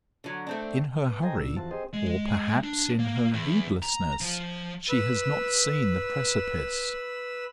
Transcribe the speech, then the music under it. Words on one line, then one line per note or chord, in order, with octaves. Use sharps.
In her hurry, or perhaps in her heedlessness, she has not seen the precipice.
D3 F#3
A3 C4 D4
B3
A4 C5 D#5 G5 G#5 A#5
A#2 D4 E6
E2 F3 C4 F#4 A5
C4 G4 G#4 C5 D#5
G#3
D4
A#3
E2
A#5
F3
B4 E6